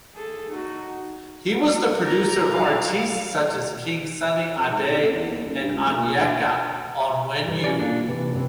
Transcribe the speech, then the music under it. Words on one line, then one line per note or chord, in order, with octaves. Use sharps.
He was the producer of artistes such as King Sunny Ade and Onyeka Onwenu.
G#4 A4
D#4 F#4
G4 A#4 A#5
F#3 F#4 G#4 F5
F2
G#2
C3
F#1
E2
D#2
F#1
G2
C#2
F1
A#2
D2
E3 G3
C#4 D5
A#3 D4 F4
C3 E3
E3 B3 C4